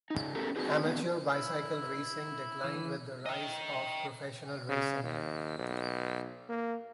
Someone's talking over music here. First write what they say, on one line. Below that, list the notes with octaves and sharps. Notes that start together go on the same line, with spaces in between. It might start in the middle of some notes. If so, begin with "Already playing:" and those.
Amateur bicycle racing declined with the rise of professional racing.
C#3 D#4
A3 B3 C#4 G4 A4 A#4
C4 D4 D#4 F#4 G#4 B4
D3 D#3 B3 C4
E4
E3
D#5 G5
C#3
D#2
B1
A#3